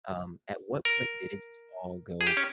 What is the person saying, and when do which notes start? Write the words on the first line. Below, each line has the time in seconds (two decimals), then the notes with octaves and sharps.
um, at what point did it just all go
0.85 A#4
2.21 G#4
2.27 G4
2.37 C#4